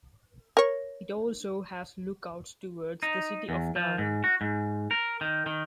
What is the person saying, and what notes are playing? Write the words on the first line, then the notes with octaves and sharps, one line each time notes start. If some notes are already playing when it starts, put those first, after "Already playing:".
It also has lookouts towards the city of Darwin.
A#4 C#5
D#4
E2
F3
G#2
F#4
G#2
A#4
D#3
D#3